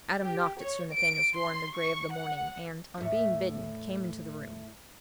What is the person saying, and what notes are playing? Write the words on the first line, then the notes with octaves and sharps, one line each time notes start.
Adam knocked at Sir Nathaniel's door in the grey of the morning, and, on being bidden, came into the room.
G4
C#5
D7
C6
C#6
F#5
E2 A2